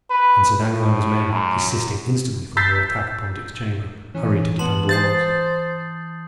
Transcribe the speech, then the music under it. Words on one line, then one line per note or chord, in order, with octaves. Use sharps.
And Sir Daniel and his men, desisting instantly from their attack upon Dick's chamber, hurried to defend the walls.
B4
A2
F#2
E6 G6 A6 B6 C7
E3 C#4
B3 A5 C6 F#7
C5 D#6 G6 A6 C7